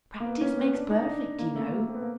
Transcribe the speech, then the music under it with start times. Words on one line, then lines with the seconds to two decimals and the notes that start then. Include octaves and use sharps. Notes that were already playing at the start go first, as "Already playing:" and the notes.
Practice makes perfect, you know.
0.20 A#3
0.25 B3
0.41 C#4
0.58 B3
0.74 D4
0.91 D#4
1.02 D#4
1.06 D4
1.39 A#3
1.55 A3
1.71 A#3
1.88 C4
1.94 B3
2.02 A#3